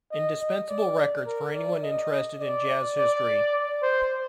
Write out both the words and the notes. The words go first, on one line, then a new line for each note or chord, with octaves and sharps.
Indispensable records for anyone interested in jazz history.
D#5
D#5
D5
A#4
D5
D#5
D5
D5
C5